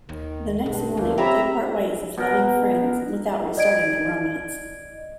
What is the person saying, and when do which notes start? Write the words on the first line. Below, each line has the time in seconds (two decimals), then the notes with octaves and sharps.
The next morning, they part ways as loving friends without restarting their romance.
0.09 D#2 D#3
0.66 B1 G2
0.97 D2 A#2 A3 A#3
1.18 C4 G4 C#5 E5 A#5 B5
2.18 B2 A#4
3.57 D5 D#5 G#6 D7